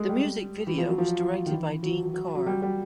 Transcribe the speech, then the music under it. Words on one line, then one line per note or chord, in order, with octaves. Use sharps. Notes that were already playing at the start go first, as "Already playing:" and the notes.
The music video was directed by Dean Karr.
Already playing: G#3 A3
G3
E3
F3
F#3
F3
F#3
F#3
D#3
E3
F#3
F#3
F#3
G3
G3